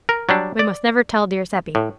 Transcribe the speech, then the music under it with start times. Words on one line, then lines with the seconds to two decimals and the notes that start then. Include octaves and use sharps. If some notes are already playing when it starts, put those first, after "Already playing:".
We must never tell dear Seppy.
0.09 A#4
0.29 F#3 G3 D4
0.59 D5
1.75 A2